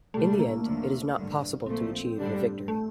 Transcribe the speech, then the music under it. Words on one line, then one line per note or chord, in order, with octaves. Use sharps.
In the end, it is not possible to achieve a victory.
C2 A#2 G3 A3 D4
A#3
D#2 D3 F3
A1 G2 D3
A#1 A#2 F3 A3 C4
A1 G2 D3 G3 D4
A3